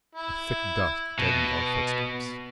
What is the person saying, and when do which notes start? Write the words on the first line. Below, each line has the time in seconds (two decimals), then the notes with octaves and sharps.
The thick dust deadened our footsteps.
0.15 E4
1.19 B2